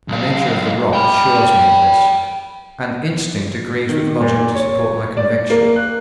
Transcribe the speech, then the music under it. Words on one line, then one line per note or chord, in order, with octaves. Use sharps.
The nature of the rock assures me of this, and instinct agrees with logic to support my conviction.
B1 F5
G5 B5
D#3
A#2
C#5
D5
A#3
F#6